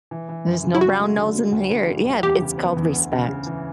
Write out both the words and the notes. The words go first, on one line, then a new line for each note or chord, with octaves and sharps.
There's no brown nosing here Yeah, it's called respect.
E3
E3
F#2
C#3
E4
F#3 F#4
A3
D3
F#3
D2
D2
G3
D2
E2 G4
C#3
B3
E2
D2
C#3
C#3
E3